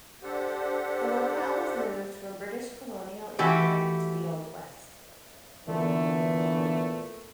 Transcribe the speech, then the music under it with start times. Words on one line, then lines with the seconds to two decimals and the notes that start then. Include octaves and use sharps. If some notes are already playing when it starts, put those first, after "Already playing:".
The locale was moved from British-colonial India to the old West.
0.23 D4 G4 A4 C5 F#5
3.39 E3 A3 F#4 G4
5.68 A#2 D3 E3 F#3 A3 B3